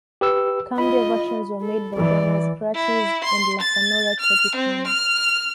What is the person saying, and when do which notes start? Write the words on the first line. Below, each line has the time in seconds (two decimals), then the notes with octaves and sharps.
Cumbia versions were made by Damas Gratis and La Sonora Tropicana.
0.21 G4 B4 E6
0.78 F4 D#5 B5
1.62 A4
1.97 E3 D5
2.74 E4
3.24 C6
3.61 A6
4.20 F6
4.55 C4
4.87 F6